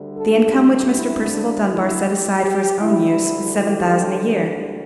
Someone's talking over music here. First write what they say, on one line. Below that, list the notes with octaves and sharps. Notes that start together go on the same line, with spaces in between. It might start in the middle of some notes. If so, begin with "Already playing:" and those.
The income which Mr. Percival Dunbar set aside for his own use was seven thousand a year.
Already playing: D2 D3 G3
A4
G4
E4
D4
E4
G4
G4
D2 D3 G3 E4
G4